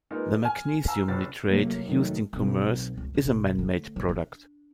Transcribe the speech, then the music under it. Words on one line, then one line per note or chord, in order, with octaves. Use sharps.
The magnesium nitrate used in commerce is a man-made product.
G#3 A#3 B3 D#4 F4
G#5 F6
F5 G#5 A#5 E6
G1 C#2 A6
C2 F#3 A3 A#3
F1 D#3 F#3 A3
B1 C4
C#2
E1
D3 A3
C#3
D4